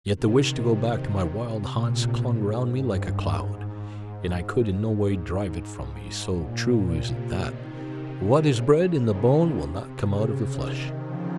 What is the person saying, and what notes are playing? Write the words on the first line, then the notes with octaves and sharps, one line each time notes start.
Yet the wish to go back to my wild haunts clung round me like a cloud, and I could in no way drive it from me, so true is it that "what is bred in the bone will not come out of the flesh."
C3 D#3
C3
A#2
G#2
G2
G#2
G#2
G#2
A#2
C3
C3 D#3
C#3
C3 D#3
C3
C#3
C3 D#3
C#3 F3